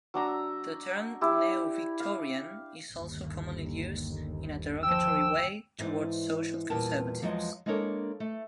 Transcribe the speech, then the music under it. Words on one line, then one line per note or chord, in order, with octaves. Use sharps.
The term Neo-Victorian is also commonly used in a derogatory way towards social conservatives.
F#3 D4 A#5 E6
E4 G4
F5
G1 D#2
F3 G5 E6
G#2 E3 C4 D5
E2 A#2 G3 A#4 G5 A5
E2 F3 F#3 G#3 D#5
G#3 A#3 D4 A4 A#4 C#5
A3